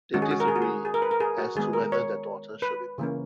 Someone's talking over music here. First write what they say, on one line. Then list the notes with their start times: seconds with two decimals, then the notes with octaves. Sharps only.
They disagree as to whether their daughter should be married.
0.14 D#3 G#3 C#4 F#4
0.22 G#4
0.31 F#4
0.40 A#4
0.48 G#4
0.56 F#4
0.62 G#4
0.85 G#4
0.94 A#4
1.02 B4
1.11 A#4
1.20 G#4
1.38 F#4
1.55 D#3 G#3 B3 G#4
1.73 A#4
1.92 C#5
2.62 B4
2.98 C#3 E3 A#3 C#4